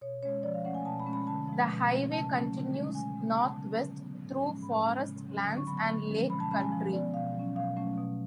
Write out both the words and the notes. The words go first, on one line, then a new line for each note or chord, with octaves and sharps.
The highway continues northwest through forest lands and lake country.
B2 C#5
G#3 C#4 C#5
F3 D5
F5
A3 C#4 F#5
G#5
B2 A5
B5
G#3 C#4
B5
D3 A5
F3
G#3
B2
A3 C#4
C#3 A5
F#3 A3 C#4
D3
G#3 C#4
B2 G#5
G#3 B3
C#3 A5
F#3 C#4
D3
F#3 B3
A2
F3 G#3 C#4
A2 B5
G#3 C#4
C#3
F#3 C#4
D3
C#6
F#3 B3 B5
C#6
D3
F3 G#3 C#4
B2 B5
A5
G#3 C#4 B5
G#5
F3
B3 D5
B2 F5
F#3 C#4
B2 F5
F#3 A3 C#4
B2